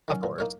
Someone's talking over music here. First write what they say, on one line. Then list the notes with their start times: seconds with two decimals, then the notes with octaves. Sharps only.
Of course.
0.08 D#3 F#3 C#4
0.23 A#2
0.39 A#3 D#4 A#4 C#5